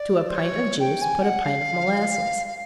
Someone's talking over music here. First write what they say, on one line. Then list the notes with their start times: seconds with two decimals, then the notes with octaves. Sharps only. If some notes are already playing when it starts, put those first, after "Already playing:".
To a pint of juice, put a pint of molasses.
Already playing: D5
0.29 C5
0.35 C#5
0.79 G5
1.01 G#5
1.22 F#5
1.44 F5
2.47 F5